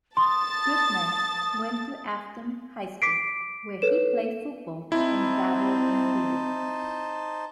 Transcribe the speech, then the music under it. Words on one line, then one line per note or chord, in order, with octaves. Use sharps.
Goodman went to Affton High School, where he played football and dabbled in theater.
A5 C6 D#6 A6
D6 B6 C7 D7
A4 B4 C#5 E7
C4 D#4 E4 C5 A5